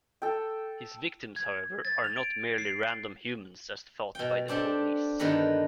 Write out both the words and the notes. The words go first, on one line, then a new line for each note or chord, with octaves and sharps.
His victims however, are not merely random humans as thought by the police.
A4 G5
G#6
A6
F7
D7
C7
B2 G5
C4 D4 G4 A4
G2 D3 D#3 B3 A#4 B4